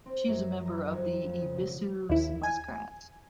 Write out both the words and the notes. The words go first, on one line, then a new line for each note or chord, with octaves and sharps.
She's a member of the Ebisu Muscats.
C4
F#2
A#5
F2
F3
C#3
B2
D#2 E4
G#5